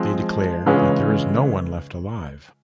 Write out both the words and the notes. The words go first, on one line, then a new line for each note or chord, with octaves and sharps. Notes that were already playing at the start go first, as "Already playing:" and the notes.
They declare that there is no one left alive.
Already playing: F3 G#3 C4
C#3 E3 G#3 C#4 F4